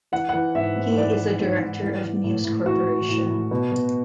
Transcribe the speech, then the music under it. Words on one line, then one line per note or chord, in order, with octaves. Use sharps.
He is a director of News Corporation.
E3 F#5
E3 F#5
G#2 E5
G#2
E3 D5
E3
G#2
G#2
E3
E3
A2
A2
E3 F#4
E3
A2
A2
B2
B2